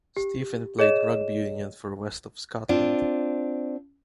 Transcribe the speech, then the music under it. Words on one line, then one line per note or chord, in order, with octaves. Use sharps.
Stephen played rugby union for West of Scotland.
G4
G#4 C#5 D#5 E7
C4 D4 F4